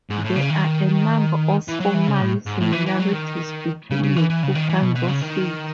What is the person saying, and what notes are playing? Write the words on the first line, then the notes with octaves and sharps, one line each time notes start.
There are a number of formal similarities between the two kinds of fields.
G#2
A2
C#3
D#3
E3
F#3
E3
C#3
A2
G#2
A2
E3
E3
F#3
D#3
C#3
C#3
E3
E3
C#3
D#3
E3
B2
B2
C#3
D#3